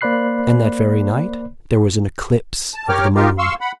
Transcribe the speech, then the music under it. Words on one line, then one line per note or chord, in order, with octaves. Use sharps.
And that very night there was an eclipse of the moon.
A#3 C5 D5 B5 F#6 C7
A5
G4 A#4 C#5 G5 D6 F6
D#4 F4 G4 A#4
F5 C6 C#6 E6
F#5 B5